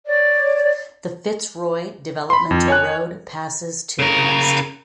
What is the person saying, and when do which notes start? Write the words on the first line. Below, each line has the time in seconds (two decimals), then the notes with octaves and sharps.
The Fitzroy Developmental Road passes to the west.
0.07 C#5 D5
2.30 B5 C6
2.51 F2
2.68 C#5 G#5 F#6
3.99 C#3 A#4